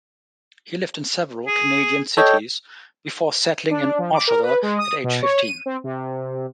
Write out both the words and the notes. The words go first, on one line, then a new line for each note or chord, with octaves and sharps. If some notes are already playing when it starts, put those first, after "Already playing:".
He lived in several Canadian cities before settling in Oshawa at age fifteen.
G#4
A4 C#5 D#5 G5
D4
F3
D6
A#4
B4
G#3
D#6
B2
C#5
D#7
C4
C3